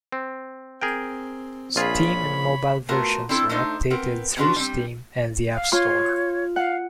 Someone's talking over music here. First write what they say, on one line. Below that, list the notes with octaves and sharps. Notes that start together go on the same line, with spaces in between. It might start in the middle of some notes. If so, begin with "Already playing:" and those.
Steam and mobile versions are updated through Steam and the App Store.
C4
C4 G#4 A#4 G5
A#1 F4 G#4 C#5 B5
A3 B3 F4 F#4 A#4
C4 D4 E4 A4
A3 D4 D#4 A4 C5
B3 C4 A#4
B2 B3 C#4 D4 F4 F#4
G3 C4
F5
F4 C#5 C6
F5 F#5